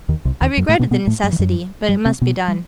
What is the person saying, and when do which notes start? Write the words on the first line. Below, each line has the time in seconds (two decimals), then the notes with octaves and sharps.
I regretted the necessity, but it must be done.
0.08 D#2 D#3
0.25 C2 C3
0.41 D#2 D#3
0.57 F#2 F#3
0.69 A2 A3
0.79 B2 B3
0.91 B2 B3
1.07 A2 A3
1.24 G2 G3
1.33 E3
1.39 F#2 F#3
1.89 G2 G3
2.05 C3 C4
2.21 B2 B3
2.48 G3